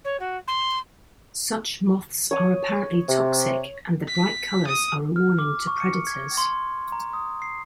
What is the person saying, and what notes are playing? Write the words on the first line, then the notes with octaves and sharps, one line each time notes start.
Such moths are apparently toxic and the bright colors are a warning to predators.
C#5
F#4
C6
C#5 D#6
C3
B6
D#6
F6
D6
C#6
C#7
G#6
C6
A#5
D#6
C7